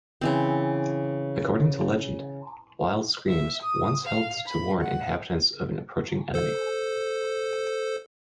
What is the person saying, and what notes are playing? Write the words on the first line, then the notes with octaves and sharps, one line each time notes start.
According to legend, wild screams once helped to warn inhabitants of an approaching enemy.
C#3 E3 C4
E5
D#6
F5
B5
F#5
A4 C5